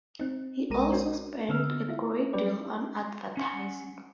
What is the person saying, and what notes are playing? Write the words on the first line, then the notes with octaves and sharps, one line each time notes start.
He also spent a great deal on advertising.
C4 D#4
B1 G#3 A#4 A#5 D#7
C#4 D4 F#4 A#4 C5 C#5
D3 B3 C#4 E6 F6
E4 F4 E5
F#3 G3 C#4 G4 B4 D5
C#4 F#5